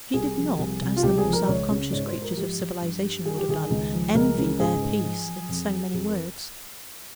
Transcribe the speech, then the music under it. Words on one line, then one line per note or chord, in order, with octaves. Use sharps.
She did not, as the more self-conscious creatures of civilization would have done, envy their peace in so many words.
C2 G#4
F3
C2
C3
F4
C#2 G4
G#4
F3
A#4
C#2 C#5
C#3
G#2 C#5
C5
G#2
A#4
F3 G4
F3
G2
G3
G2 G#4
G4
D#3 G#4
C#2
F3
C#2 A#4
C#3
G#2 G#4
G#2
F3
F3
F2
G3
F2 G#4
A#4